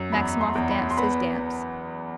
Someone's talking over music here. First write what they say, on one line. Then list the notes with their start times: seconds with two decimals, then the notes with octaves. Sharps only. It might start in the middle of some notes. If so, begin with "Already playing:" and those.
Maximov danced his dance.
Already playing: F#2
0.12 E2 B5
0.41 C6
0.55 E2
0.70 B5
0.90 C6
0.97 B3 B5